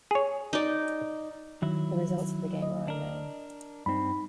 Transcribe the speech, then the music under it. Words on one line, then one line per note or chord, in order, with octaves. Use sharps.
The results of the game are unknown.
G#4 C#5
D#4 D5
D#3 F#3 E4
D#5
D4 A#4
G2 C4 D#4 B5